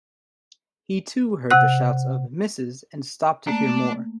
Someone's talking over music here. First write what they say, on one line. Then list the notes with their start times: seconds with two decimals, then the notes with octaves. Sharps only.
He too heard the shouts of ‘Missus,’ and stopped to hear more.
1.51 C3 F#5 F#6
3.47 A3 A#3 D4